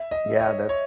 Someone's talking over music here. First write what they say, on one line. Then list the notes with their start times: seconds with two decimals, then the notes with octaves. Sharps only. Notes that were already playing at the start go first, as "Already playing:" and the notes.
Yeah. That's
Already playing: E5
0.11 D#5
0.40 C#5
0.69 C#5